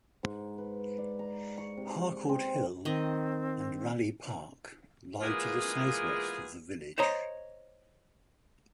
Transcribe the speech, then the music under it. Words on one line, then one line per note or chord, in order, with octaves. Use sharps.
Harcourt Hill and Raleigh Park lie to the southwest of the village.
G#2
B4
D5
A#5
C#6
C3
C4
D#3 C4 D#5
E3 G#3 A#3 B3 F4 G#4
C5 C#5 D#5 A#5